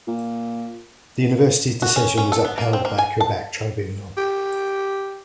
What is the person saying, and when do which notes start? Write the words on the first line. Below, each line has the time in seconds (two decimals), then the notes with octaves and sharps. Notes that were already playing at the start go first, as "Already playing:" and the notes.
The university's decision was upheld by a Quebec tribunal.
0.07 A#2
1.82 F#4
1.96 C#4
2.18 C#4
2.32 A4
2.45 B3
2.58 A#3
2.73 C4
2.85 A#3
2.98 G#5
3.20 A5
4.17 G4